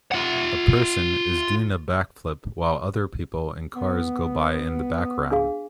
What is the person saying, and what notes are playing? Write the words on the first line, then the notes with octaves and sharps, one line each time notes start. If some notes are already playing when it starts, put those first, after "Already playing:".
A person is doing a back flip while other people and cars go by in the background.
F4 F#5
B3
D4 G#4 F5